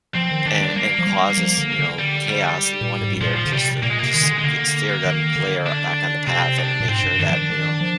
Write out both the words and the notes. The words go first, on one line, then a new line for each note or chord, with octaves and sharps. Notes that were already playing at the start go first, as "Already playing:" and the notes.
and and causes, you know, chaos, you wanna be there just to, just get steer them clear back on the path and make sure that, you know,
F3 C4
D#3
D#3 D4
G3
G3 A#3
F3
G3
F3
D3
D3
G3
G3
A#2
G#2
G#2
A#2 F3
F3
D3
C3 G3
A#2 A#3
G#3
C3 A#3
D#3 G#3
D3
G#3
D3 A#3
D#3
D3
D4
C3 C4
D4
A#2
G#2 C4
G2
D#3 D4
F3
D#3
D#3
F3